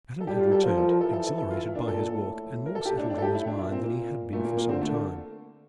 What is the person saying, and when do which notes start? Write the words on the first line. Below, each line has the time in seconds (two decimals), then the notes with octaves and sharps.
Adam had returned, exhilarated by his walk, and more settled in his mind than he had been for some time.
0.21 A4
0.27 G3 G4
0.40 F4
0.52 A4
0.64 F3 A#4
0.77 A4
0.89 A#4
1.01 E3 A4
1.13 A4
1.26 A4
1.38 A4
1.50 F4
1.62 E4
1.75 A#2 D4
1.88 A4
1.99 A4
2.12 A2
2.66 A#4
2.75 A4
2.85 A2 G4
2.98 D4
3.10 D4
3.18 A4
3.22 G4
3.35 E4
3.47 D4
3.59 A#2 E4
3.72 C4
3.83 A#3
4.33 A#2 A3
4.45 A#3
4.57 A#3
4.69 D3 C4
4.81 A3
4.94 A#3